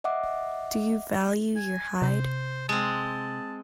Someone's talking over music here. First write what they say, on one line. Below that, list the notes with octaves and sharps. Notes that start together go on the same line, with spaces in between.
Do you value your hide.
D#5 E5 F#5 D6
G#5
C3 C5
G#3 C4 A5